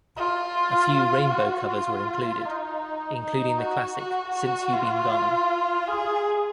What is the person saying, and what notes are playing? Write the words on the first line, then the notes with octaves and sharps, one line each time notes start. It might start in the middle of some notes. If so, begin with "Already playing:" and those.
A few Rainbow covers were included, including the classic "Since You Been Gone".
F4
F#4
F4
D#4
D#4
F#4
F#4
F#4
F4
G#4